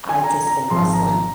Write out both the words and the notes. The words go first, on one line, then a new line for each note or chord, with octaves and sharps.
I've just been hustling
G#5
A#5
A#5
G#1 G#2 F3 G#3 C6
A#5